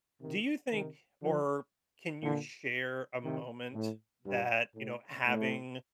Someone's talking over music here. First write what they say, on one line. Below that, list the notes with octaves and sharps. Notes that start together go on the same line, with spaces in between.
do you think or can you share a moment that, you know, having
C3 D#3
C3 D#3
D3 F3
A#2 D3
C3 D#3
A2
G2
A2
A2